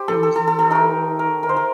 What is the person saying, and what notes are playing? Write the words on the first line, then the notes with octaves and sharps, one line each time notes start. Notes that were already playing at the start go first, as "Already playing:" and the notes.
there was no,
Already playing: D#4 G4 C5
A4
A4
A4
A4
A4
A3 D#4 A#4
A#4
A#4
C5
A#4